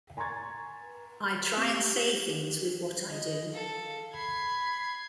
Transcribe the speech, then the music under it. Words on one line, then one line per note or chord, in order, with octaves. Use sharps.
I try and say things with what I do.
G#5 A#5 C6 C#6 G#6 A6
C4 G4 D6
D#5
A4 F5
B5 G#6 C7